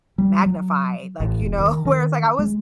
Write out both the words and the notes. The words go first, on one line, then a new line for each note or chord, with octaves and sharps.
magnified, like, you know, where it's like I was
G3
F#3
A1
E1
D#3
D#3
G#3